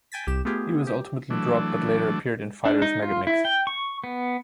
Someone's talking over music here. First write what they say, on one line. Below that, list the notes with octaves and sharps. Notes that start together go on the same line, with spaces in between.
He was ultimately dropped, but later appeared in "Fighters Megamix".
G5 G#5 A6 B6
C2 G4 E7
A3 B3 F4 G4 G#4
G4
E3 F#3 A3 D4
D4
D#4
F4
E4
G5
C#6
B3